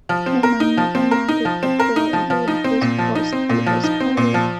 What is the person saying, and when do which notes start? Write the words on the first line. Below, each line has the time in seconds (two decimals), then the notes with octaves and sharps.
Lennon never mounted a tour during his post-Beatles career.
0.09 F3
0.26 C4
0.43 A#4
0.60 D#4
0.77 F3
0.95 C4
1.11 A#4
1.28 D#4
1.45 F3
1.63 C4
1.80 A#4
1.96 D#4
2.13 F3
2.30 F3
2.48 D#4
2.64 C4
2.82 A#2
2.98 F3
3.15 D#4
3.33 C4
3.50 A#2
3.66 F3
3.84 D#4
4.00 C4
4.17 A#2
4.34 F3